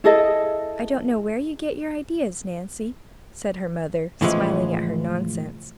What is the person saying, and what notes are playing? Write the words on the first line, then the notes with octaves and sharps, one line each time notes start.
"I don't know where you get your ideas, Nancy," said her mother, smiling at her nonsense.
E4 G#4 A4 D#5
A2 C#3 E3 F3 G3 G#3